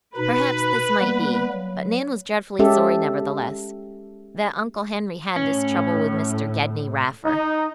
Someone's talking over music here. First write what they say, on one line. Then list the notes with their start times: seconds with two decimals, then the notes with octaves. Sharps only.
Perhaps this might be; but Nan was dreadfully sorry, nevertheless, that Uncle Henry had this trouble with Mr. Gedney Raffer.
0.17 B2 D#4 B4
1.00 G3 A#3 B3
1.53 F#3
2.59 G#3 C#4 G4 A4 E5
5.36 A2 C#4
7.25 D#4